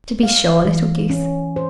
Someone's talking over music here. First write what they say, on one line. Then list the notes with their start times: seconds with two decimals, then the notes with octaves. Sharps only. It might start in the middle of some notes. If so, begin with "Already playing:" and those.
'To be sure, little goose.
0.23 F5
0.65 E3
1.10 C#4
1.56 C5